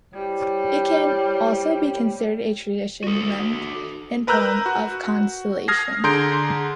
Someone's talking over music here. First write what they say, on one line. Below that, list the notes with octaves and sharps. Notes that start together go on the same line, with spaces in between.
It can also be considered a traditional lament and poem of consolation.
G3 E4 C5 C#5
F#4 A4
A#4 B4 A#5 E6 F#6 G6
F#4
D#6 F6 G#6 A#6 C7
D3 G#4 A#5 C6 G6 D7